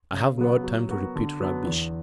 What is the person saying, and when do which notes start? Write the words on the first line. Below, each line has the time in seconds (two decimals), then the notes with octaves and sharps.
I have no time to repeat rubbish.
0.12 C#3
0.38 F#3 B3
0.64 F#3
0.89 B3 F#4 A#4
1.16 D3
1.40 F#3 B3 D4
1.66 E2